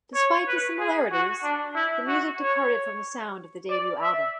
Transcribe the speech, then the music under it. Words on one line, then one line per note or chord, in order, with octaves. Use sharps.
Despite the similarities, the music departed from the sound of the debut album.
C#5
B4
G#4
F#4
D4
E4
F#4
C#5
D5
E5